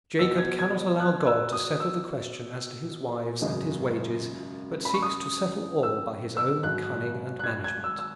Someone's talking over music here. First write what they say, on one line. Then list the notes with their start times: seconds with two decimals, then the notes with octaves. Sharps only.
Jacob cannot allow God to settle the question as to his wives and his wages, but seeks to settle all by his own cunning and management.
0.19 E2 B2 F#3 E6
0.38 G#6
0.59 G#6
1.00 F#6
1.27 E6
1.53 D#6
1.80 E6
3.41 G#1 F#2 C#3 G#3
4.85 B5
4.94 C#6
5.02 D#6
5.83 E6
6.37 E6
6.63 G#1 G#2 F#3 F#6
7.39 F#6
7.44 G#6
7.64 G#6
7.84 E6
7.99 E6